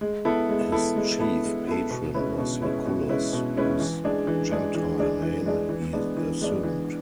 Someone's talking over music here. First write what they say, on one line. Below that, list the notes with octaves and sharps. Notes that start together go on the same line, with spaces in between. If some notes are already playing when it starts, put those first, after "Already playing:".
His chief patron was Lucullus, whose gentile name he assumed.
G#3
B3 E4 A4
G#3
B3 E4 A4
G#3
B3 E4 A4
G#3
B3 E4 A4
B2
G#3 C#4 E4 B4
B2
G#3 C#4 E4 B4
B2
G#3 C#4 E4 B4
B2
G#3 C#4 E4 B4
E3
G#3 D4 G#4
E3
G#3 D4 G#4
E3
G#3 D4 G#4
E3
G#3 D4 G#4
E3
G#3 B3 D4
E3
G#3 B3 D4
E3